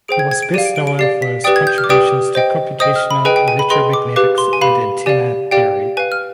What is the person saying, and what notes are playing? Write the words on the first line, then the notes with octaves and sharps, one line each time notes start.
He was best known for his contributions to computational electromagnetics and antenna theory.
G#4 C5 G5 D7
G#6
G#6
D7
G4 D5 F5 D#7
D7
D7
D7
G4 D5 F5 C7
B6
G4 B4 D5 G5 D#6
G#6
G6
F6
D6
G4 B4 D5 G5 D#6
C5 D#5 G5
C5 D#5 G5 D#6
F6
B5
G#4 B4 D#5 G5 G#5
G5
G#5
B5
G#4 B4 D#5 G5 C6
D6
G4 B4 F5 D6
C6
G#5
G4 B4 F5 B5
G4 D5 F5 G#5
G4 D5 F5 G5
B4 F5 G#5
F6